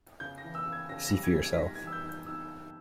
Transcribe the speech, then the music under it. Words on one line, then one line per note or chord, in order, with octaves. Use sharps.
See for yourself.
C#3 G6
A#6
E3
E6
C#3
G#6
C#3 A#6
A#6
G3
G#6
G3
G#6
B6
D#4 A#6
G#6
E3
E6
G6
D#4
G6
D#4 E6